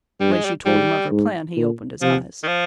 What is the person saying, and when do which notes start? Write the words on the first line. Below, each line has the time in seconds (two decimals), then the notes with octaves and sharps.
When she told him of her plan he opened his eyes.
0.20 G2 G3
0.33 G#3
0.45 G3
0.65 G#2 G3
1.11 G#2
1.56 A#2
2.02 C3 F3
2.43 D#3
2.47 F3